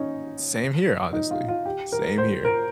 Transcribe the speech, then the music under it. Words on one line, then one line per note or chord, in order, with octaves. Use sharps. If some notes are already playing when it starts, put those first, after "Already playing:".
Same here, honestly, same here.
Already playing: C#4 D#4
D#4
F4
F4
G4
A#4
C5
A#4